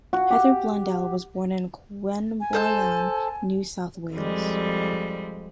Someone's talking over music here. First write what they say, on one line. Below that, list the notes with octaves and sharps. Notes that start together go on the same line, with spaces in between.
Heather Blundell was born in Queanbeyan, New South Wales.
F#4
G4
G#5
A4 C5 G6
F2 G3 G#3